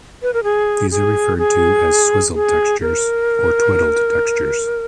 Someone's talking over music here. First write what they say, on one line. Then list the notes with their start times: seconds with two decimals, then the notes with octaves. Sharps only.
These are referred to as "swizzled textures" or "twidled textures".
0.23 B4
0.34 A#4
0.44 G#4
0.91 G#4
1.38 G#4
2.34 G#4
2.81 A#4